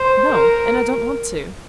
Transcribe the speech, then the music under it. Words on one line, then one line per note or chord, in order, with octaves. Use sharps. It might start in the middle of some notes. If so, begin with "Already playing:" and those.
"No, and I don't want to."
Already playing: C5
A#4